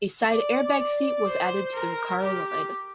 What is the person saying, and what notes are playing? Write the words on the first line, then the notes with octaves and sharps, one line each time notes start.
A side-airbag seat was added to the Recaro line.
D5
D5
C5
A#4
G4